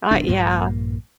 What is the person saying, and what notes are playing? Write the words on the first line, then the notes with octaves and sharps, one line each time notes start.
Uh, yeah.
D1 B1 D4
A#1 G2 A#2 A#3